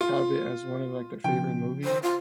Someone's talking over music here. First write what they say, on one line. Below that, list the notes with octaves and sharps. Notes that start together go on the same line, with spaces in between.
have it as one of, like, their favorite movies,
F4
C#3 F3 G5
C5
F4